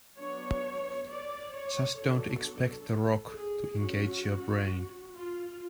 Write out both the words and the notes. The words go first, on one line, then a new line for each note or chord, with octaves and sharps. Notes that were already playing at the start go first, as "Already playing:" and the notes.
Just don't expect "The Rock" to engage your brain.
F#3 B3 D4 C#5
D5
C#5
F#3 B3 D4 A4
G#4
F#3 C#4 F#4
F4